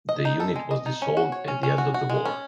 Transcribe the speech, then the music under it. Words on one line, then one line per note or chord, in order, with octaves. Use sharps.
The unit was dissolved at the end of the war.
D#5
D#4
A4
G#3
D#5
D#4
C#4
F#4
C#5
C#4
C#4
F#4
F#4
G#3
C#4